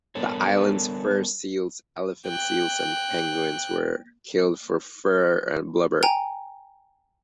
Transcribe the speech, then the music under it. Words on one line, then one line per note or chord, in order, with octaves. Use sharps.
The island's fur seals, elephant seals and penguins were killed for fur and blubber.
G3 B3 D4 A4 A#4 C#5
G5 F#6
G5 G#5 A#5